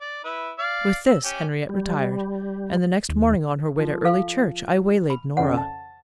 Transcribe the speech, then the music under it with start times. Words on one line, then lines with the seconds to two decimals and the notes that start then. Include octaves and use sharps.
With this Henriette retired and the next morning on her way to early church I waylaid Norah.
0.01 D5
0.24 E4 B4
0.59 D5 F5
1.08 E6
1.25 C#4 G4
1.69 G3
3.09 D#2
3.79 F3
4.05 A4 F5
5.10 B5
5.37 F2 C#3 D5 F#5
5.57 A5